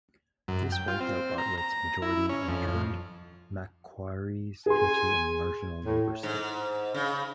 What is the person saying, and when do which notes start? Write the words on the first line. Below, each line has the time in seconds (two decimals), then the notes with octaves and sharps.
This wiped out Bartlett's majority and turned Macquarie into a marginal Labor seat.
0.48 F#2
0.72 G5
0.88 F4
1.00 C4
1.38 A#5
1.58 A#5
2.02 E4
2.29 C#4
2.48 F2
2.68 F2
4.66 G#4 G#5 C6
5.85 A2
6.23 G#2
6.94 C#3